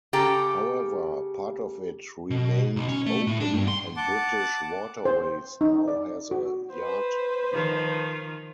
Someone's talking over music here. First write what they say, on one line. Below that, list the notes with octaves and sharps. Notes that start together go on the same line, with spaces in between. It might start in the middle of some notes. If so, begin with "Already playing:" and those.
However, part of it remained open and British Waterways now has a yard there.
C#3 G4 A4 G5 A#5
B2
B1
C#4
A3
A2
D4
G2
C6
F#5 A5 D6
C5
D#4
D5
F#4
B4 C5
D#3 F3